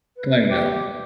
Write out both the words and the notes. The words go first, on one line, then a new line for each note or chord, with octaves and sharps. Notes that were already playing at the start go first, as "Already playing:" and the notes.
I know.
B4
G4